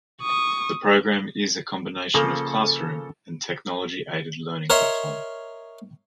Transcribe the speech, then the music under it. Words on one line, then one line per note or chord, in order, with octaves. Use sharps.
The programme is a combination of classroom and technology aided learning platform.
C#6 D#6
C#3 F3 A#3 A4
A#4 C#5 D#5 E5 C6